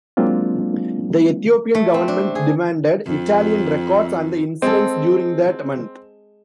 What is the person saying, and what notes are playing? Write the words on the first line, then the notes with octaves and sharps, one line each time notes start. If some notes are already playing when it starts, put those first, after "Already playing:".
The Ethiopian government demanded Italian records on the incidents during that month.
F#3 G#3 A#3 C4 D4 F4
A3
C4
D4
G#4
F2
G#3 C4 G#4 A4